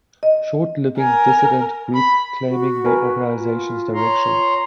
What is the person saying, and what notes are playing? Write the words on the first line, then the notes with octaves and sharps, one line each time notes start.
Short living dissident group claiming the organisation's direction.
D#5
A#4 G#5
B5
F#4
A#4 B4 G#5
F4
C#5 A#5 C6